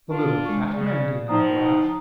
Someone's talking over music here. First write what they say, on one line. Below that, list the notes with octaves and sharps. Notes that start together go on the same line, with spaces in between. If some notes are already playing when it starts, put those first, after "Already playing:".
The little fat man did not laugh.
D4 F4
G#3 C#6
C#3 D5
A2 F3 D#4 A#5 D#6